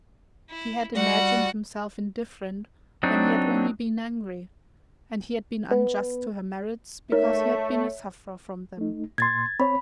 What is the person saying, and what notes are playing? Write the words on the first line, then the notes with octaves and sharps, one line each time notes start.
He had imagined himself indifferent, when he had only been angry; and he had been unjust to her merits, because he had been a sufferer from them.
E4
G3 F#4 F#5
F#3 C4 D4 D#4
B3
A3 D#4 A#4 C#5 E5
A3 D#4
A#2 C6 G#6 A6
C4 C#5 B5